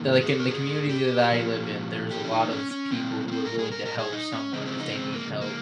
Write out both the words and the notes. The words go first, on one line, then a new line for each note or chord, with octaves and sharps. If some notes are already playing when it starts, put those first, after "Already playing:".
like that like in the community that I live in, there's a lot of people who are willing to help someone if they need help,
Already playing: G#2 D#3 A#3
G#4
G4
A#4
G#4
G4
A#2 F3 A#3
G4
C#4
D#4
C#4
C#4
A#2 G3 A#3 C4
A#3
C4
A#4
G#4
A#4
A#4
G#4
D#4
C#4
F2 C#3 G#3 C4
C#4
C4
D#4
C4
A#3
A#3